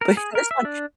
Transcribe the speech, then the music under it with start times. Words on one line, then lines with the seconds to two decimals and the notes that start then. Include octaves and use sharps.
but in this one,
0.01 A#4
0.17 G#4
0.35 A#4
0.51 E5
0.65 D4